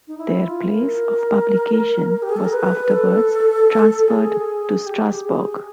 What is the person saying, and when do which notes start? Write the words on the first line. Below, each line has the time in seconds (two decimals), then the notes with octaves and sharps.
Their place of publication was afterwards transferred to Strasbourg.
0.08 D#4
0.18 E4
0.44 F4
0.71 A#4
2.22 G4
2.29 G#4
2.37 A4
2.44 A#4
2.53 B4
2.91 A4
4.08 G#4
4.86 G4
5.24 G#4